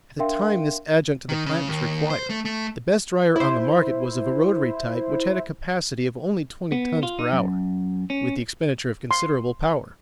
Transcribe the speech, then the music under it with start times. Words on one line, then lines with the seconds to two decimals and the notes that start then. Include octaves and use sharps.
At the time this adjunct to the plant was required, the best dryer on the market was of a rotary type, which had a capacity of only twenty tons per hour, with the expenditure of considerable power.
0.19 D4 A#4 E5 F5 G5 C6
1.29 D#3
1.46 C#3
1.68 D#2
2.10 C5
2.29 A3
2.45 A3
3.36 E4 C5
6.72 B3
7.03 F4
7.19 D#4
7.32 F#2
8.10 C#4
9.11 C6